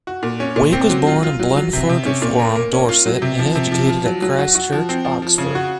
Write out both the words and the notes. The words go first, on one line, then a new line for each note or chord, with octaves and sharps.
Wake was born in Blandford Forum, Dorset, and educated at Christ Church, Oxford.
F#4
A#2
C#4
A#2
C4
F#3
F4
F4
F#3
F#3
C3
C3
C#4
A#2
A#3
A#3
C#4
F4
F#3
C3
F3
C3
F3
F3
F#3
F#3
F#4
F#4
F3
C4
F3
F3
C#3
F#4